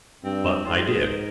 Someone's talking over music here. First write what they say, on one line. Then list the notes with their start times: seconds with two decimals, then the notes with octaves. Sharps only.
But I did.
0.24 G2 C4
0.65 G#2 F4
0.87 G#4
1.03 C5
1.08 A#4